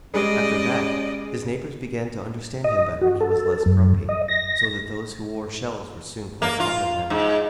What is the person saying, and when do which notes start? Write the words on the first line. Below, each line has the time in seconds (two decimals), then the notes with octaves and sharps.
After that his neighbors began to understand him better and he was less grumpy, so that those who wore shells were soon quite fond of him.
0.14 G3 G#3 C#4 G#4 D5 D#5
2.64 D#5
3.01 F#4
3.21 A4
3.66 F#2
4.09 D#5
4.28 A#6
6.42 A#3
6.60 F4
7.10 G#2